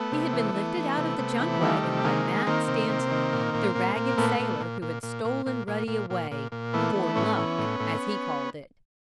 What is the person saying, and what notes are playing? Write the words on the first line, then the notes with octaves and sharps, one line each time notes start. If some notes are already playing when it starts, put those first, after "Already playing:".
He had been lifted out of the junk wagon by Matt Stanton, the ragged sailor who had stolen Ruddy away "for luck," as he called it.
Already playing: A3 B3
C3
E3
E3
E3
C3
C3
E3
D#3 G3 A3
C3
D#3 G#3 A#3
D#3
D#3 A#3 C4
C3
C3
D#3
A#2
A#2
A#2
A#2
A#2 A3 B3
A#2
A#2
A#2
A#2
A#2
A#2
A#2
A#2
A#2
A#2
A#2
E3 A3 B3
E3
A2 B3 C#4
E3
A2
A2